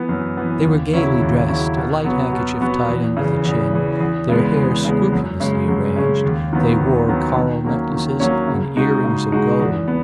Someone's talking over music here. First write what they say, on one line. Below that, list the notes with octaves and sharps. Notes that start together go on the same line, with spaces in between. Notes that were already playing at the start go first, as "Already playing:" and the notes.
They were gaily dressed, a light handkerchief tied under the chin, their hair scrupulously arranged; they wore coral neck-laces and earrings of gold.
Already playing: E3 B3
F#2
E3 B3
D#2
C#3 F#3 C#4 E4
D#2
C#3 F#3 C#4 E4
B2
F#3 B3 F#4
B2
F#3 B3 F#4
E2
C#3 E3
E2
C#3 E3
E2
C#3 G#3 B3
E2
C#3 G#3 B3
F#2
C#3 G#3 C#4
F#2
C#3 G#3 C#4
D#2
D#3 F#3 B3
D#2
D#3 F#3 B3
D#3
F#3 A#3 C#4
D#3
F#3 A#3 C#4
C#3
G#3 D#4 F#4
C#3
G#3 D#4 F#4
E2
B3